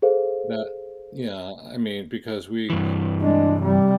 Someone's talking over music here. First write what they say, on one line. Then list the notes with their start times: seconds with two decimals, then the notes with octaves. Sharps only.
but, you know, I mean, because we,
0.02 G#4 A4 C5 F5
2.70 G2 E3
3.21 G#3 D4
3.61 C3 G3